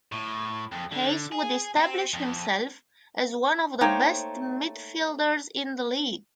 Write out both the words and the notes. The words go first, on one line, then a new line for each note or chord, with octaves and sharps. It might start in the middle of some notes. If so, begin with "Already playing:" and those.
Hayes would establish himself as one of the best midfielders in the league.
A2
F2
D3
G#4
C4
F2
A3 A#3 D#4 C5 C#5 G5